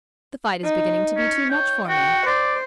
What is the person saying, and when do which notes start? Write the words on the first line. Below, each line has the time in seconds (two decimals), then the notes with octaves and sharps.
The fight is beginning to be too much for me.
0.64 D#4
1.17 C#4
1.50 C#5 G5
1.89 F#4 G5
2.26 C5 D5